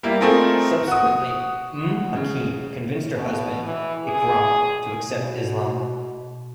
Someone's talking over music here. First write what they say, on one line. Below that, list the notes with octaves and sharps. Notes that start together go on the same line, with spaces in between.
Subsequently, Umm Hakim convinced her husband Ikramah to accept Islam.
G3 A#3 E4
A3 C4 D#4 F4 G#4 A#4
F#4 D#6
C#3
B2
E3
G#4
B2